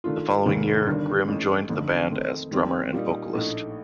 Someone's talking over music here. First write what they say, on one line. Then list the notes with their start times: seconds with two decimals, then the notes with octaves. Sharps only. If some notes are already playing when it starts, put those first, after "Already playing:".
The following year, Grimm joined the band as drummer and vocalist.
0.04 D#3 A3 D4 F4
0.46 F1 D#2 D#3
0.87 G1 G2 D#3 G3 D4
1.28 A1 A2 A3 D#4
1.69 G1 F2 D3 A3 D#4
2.11 D#3 A3 C4 D#4
2.51 D#3 G3 C4
2.93 A#2 G3 A#3 D#4
3.34 A#1 A2 A3 D#4